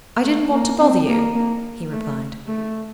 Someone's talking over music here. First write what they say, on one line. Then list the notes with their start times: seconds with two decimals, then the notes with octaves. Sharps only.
"I didn't want to bother you," he replied.
0.23 A3
0.51 A#3
0.79 C4
1.07 A#3
1.34 A#3
1.91 A3
2.47 A3